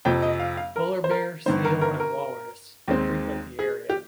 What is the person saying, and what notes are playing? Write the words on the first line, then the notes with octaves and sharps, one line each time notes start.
Polar bear, seal, and walrus frequent the area.
F2 C3 F3 G5
D#5
F5
F5
A#4
C5
A#4
G1 G2 D#3 C5
A#4
A#4
A#4
D#2 D#3 G#3 C4
G#4
G4